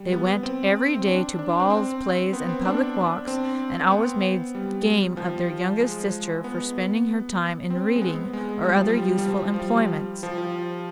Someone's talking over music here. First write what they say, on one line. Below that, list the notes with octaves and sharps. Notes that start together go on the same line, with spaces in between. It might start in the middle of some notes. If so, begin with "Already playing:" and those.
They went every day to balls, plays, and public walks, and always made game of their youngest sister for spending her time in reading, or other useful employments.
Already playing: G3
B3
C4
C4
D4
D4
D4
C4
C4
B3
C4
D4
C4
B3
G3
F3
G#3
B3
C4
G#3
B3
G#3
G3
F3
G3
G3
F3
F3
G3
F3
F3